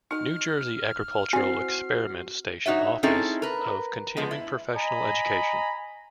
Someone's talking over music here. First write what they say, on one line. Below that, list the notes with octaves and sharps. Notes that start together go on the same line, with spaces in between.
New Jersey Agricultural Experiment Station Office of Continuing Professional Education.
D#4 F#4 D#5 F6
C4 E4 F#4 C5 D5 G#5 C7
D#4 F#4 C#5 E5
C4 C#4 D#4 E4 G#4 A4
A#4 B4
F3 G#3 B3
E4
D#5 G#5 A#5 B5